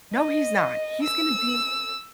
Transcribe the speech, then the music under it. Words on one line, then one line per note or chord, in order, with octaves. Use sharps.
"No, he's not. He's gonna be"
D#5
E6